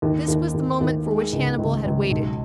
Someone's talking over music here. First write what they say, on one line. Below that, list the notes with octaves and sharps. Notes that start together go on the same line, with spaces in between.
This was the moment for which Hannibal had waited.
D#2
D#2
D#2
D#2
G#3
C#2
C#2
C#2
B1